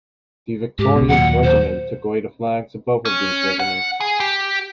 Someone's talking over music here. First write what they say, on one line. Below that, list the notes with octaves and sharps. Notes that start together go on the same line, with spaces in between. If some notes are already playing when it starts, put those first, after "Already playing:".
The victorious regiment took away the flags of both of these regiments.
G#2 G4
C2 B2
D#2 A#2 F#3 F#5
C5
C#4
F#5
G#4
G4